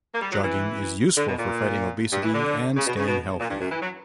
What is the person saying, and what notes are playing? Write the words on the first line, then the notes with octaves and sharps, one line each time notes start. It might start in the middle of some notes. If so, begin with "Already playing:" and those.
Jogging is useful for fighting obesity and staying healthy.
A#3
G3
F#3
E3
D3
B2
A#2
G2
E3
D3
C#3
B2
C#3
B2
A#2
G2
F#2
E3
F#3